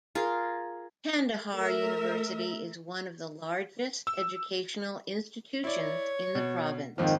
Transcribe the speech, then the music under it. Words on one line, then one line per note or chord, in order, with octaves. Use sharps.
Kandahar University is one of the largest educational institutions in the province.
F4 G#4 A#4
A3 A#4 E5
E6
E4 C#5 D5
B2
F2 G#2 D#3 F3 A#3